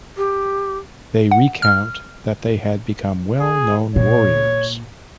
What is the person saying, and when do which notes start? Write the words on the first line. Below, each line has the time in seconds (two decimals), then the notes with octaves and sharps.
They recount that they had become well known warriors.
0.17 G4
1.31 F#5
1.62 F6
3.40 G#4
3.96 A#2 C#5